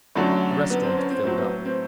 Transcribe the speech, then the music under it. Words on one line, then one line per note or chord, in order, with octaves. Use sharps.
The restaurant had filled up.
F#2 D3 F#3 A3
B3
C4
C#4
C4
A2 F#3 C4
B3
C4